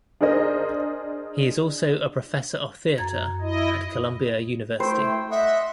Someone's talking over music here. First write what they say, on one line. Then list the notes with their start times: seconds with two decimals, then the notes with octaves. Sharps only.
He is also a professor of theater at Columbia University.
0.21 D4 G#4 A#4 C5 D#5
2.98 F#2 A#5 G#6
3.41 E4 D#5
4.80 A3 E4 C5 G5
5.31 D#5 E5 F#5